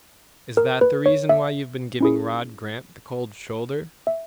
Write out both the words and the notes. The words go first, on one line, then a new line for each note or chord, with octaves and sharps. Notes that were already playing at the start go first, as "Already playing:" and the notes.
"Is that the reason why you've been giving Rod Grant the cold shoulder?"
A#4
B4
C#5
E5
C#4 E4 G#4
E5